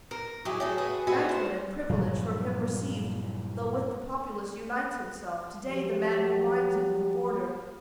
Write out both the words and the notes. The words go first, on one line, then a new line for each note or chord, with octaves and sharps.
Knighthood and privilege from him received; Though with the populace unites himself To-day the man who binds it with a border.
A#4
F#3 E4 G4 G#4
F#3 A3 G#4
F#4 G#4 B4
E4 F#4 G#4 B4
C5
G2 A#2 F3 F#3
F3 F#3 G4